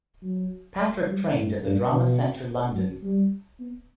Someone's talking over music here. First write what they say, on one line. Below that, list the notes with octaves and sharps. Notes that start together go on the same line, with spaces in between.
Patrick trained at the Drama Centre London.
F#3
G3
A2
G2
B2
F#3
G3
B3